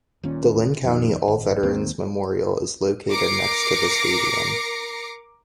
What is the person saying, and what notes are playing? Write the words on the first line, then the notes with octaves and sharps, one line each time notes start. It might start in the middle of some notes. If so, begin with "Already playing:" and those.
The Linn County All Veterans Memorial is located next to the stadium.
D#1 D#2 A#2 C#4
F2 D#3
G#1
D#2 D#3 A#3 C4
A#4 D6 A#6 C7 C#7